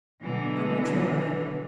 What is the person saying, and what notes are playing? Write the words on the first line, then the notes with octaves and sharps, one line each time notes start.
"I will try."
B2 D3 E3 F#3